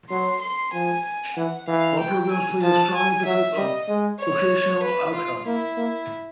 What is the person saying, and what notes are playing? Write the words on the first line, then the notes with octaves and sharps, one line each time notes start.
All programs place a strong emphasis on vocational outcomes.
F#3 C6
C6
F3 G#5
G#5
E3 F#5
E3 F5
G5
G#5
F3 A5
G#5
F#3 E5
G3 D#5
G#3
C#5
B4
F4
A#3 E4
A#3